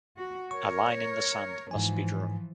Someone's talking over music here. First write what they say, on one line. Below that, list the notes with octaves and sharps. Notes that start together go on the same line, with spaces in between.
A line in the sand must be drawn.
F#4
A#4 C#5 C#6
G#2 E3 F3 G#5